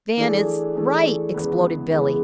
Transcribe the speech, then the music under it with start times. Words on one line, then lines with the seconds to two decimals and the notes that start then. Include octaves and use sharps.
"Van is--right!" exploded Billie.
0.17 E3 A3 D4 G#4
0.75 E3 A3 D4 G#4
1.34 E2 C#3 E3 G#3 B3
1.92 E2 C#3 E3 G#3 B3